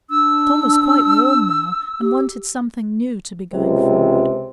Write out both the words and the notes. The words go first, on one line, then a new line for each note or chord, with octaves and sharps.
Tom was quite warm now, and wanted something new to be going forward.
D4 E6
G4
C#2 C3